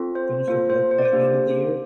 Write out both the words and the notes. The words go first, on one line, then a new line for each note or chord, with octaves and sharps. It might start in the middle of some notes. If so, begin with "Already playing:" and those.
finish a book by the end of the year
Already playing: C4 F4 A4
C5
A#3 F4 A4 C5
C5
C5
D5
C5
A#3 D4 G4